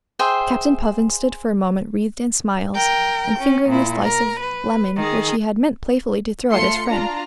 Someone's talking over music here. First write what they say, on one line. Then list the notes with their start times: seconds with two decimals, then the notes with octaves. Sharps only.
Captain Puffin stood for a moment wreathed in smiles, and fingering the slice of lemon, which he had meant playfully to throw at his friend.
0.19 G#4 C5 E5 G5
2.75 A#4 G5
3.40 C#4
3.69 A#2 E4
4.02 A#4
4.40 B4
4.96 D#3 G#4
6.51 A3 F4 C6 C#7
6.89 D4 F4 A#5